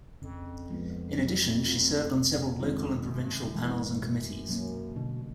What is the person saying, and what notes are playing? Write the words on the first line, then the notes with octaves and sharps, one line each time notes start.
In addition, she served on several local and provincial panels and committees.
F2 C#3
F3 G#3 B3
F#3
A3 C4 F4
C3
D#3 G#3 C4 F4
F#2 C3
G2
F#2
E3 G#3
B2
F#3 A#3 C#4
B2 D3